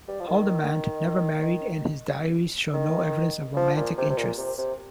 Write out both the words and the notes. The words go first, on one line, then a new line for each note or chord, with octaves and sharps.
Haldimand never married, and his diaries show no evidence of romantic interests.
G3
F3
D#3
D#3
F3
A#2
C3
C3
A#2
C3
C3